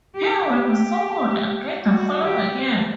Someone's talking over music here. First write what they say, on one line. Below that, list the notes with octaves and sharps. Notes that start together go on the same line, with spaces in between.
He will be summoned again the following year.
G4
G4
F#4
G4